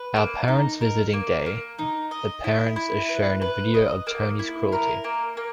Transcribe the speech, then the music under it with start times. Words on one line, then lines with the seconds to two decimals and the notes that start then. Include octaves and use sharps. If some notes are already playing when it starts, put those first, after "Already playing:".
On parents' visiting day, the parents are shown a video of Tony's cruelty.
Already playing: B4
0.16 A#3
0.48 D#4
0.81 A#4
1.13 A#3
1.46 A#3
1.79 D#4
2.11 D#5
2.44 E4
2.76 E4
3.09 B4
3.42 B4
3.74 D#5
4.07 A#3
4.39 E4
4.72 A#4
5.04 A#3
5.37 A#3